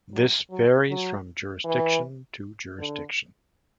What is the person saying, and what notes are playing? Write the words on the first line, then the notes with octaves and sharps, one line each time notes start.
This varies from jurisdiction to jurisdiction.
F#3
F#3
F#3
E3
D3